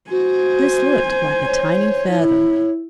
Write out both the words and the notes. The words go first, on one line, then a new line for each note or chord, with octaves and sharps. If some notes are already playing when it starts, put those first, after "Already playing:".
This looked like a tiny feather.
F#4 C5 G#5
C#5
E4